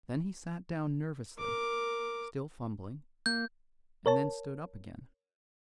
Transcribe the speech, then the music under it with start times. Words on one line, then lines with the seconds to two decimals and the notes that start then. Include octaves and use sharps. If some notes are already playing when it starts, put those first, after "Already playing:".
Then he sat down nervously, still fumbling, and then stood up again.
1.39 A#4 D6
3.26 A#3 G6
4.06 A#4 C#5 A5